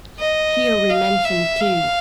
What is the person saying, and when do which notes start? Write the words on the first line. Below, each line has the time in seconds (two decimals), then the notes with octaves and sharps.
Here we mention two.
0.18 D#5
0.89 F5
1.24 E5
1.60 F5